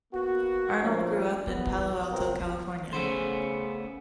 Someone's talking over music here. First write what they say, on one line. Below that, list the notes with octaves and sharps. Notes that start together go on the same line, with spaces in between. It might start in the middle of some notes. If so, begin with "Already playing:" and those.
Arnold grew up in Palo Alto, California.
A#3 B3 F#4
A#1 F3 A3 C#4 A#4
E2 B3
C3 B3 C4 F4 A#4
C#3 A3 B3 C5